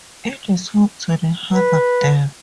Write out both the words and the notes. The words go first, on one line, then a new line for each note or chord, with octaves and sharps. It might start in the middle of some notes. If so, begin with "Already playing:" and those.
It is home to the Hardap Dam.
B4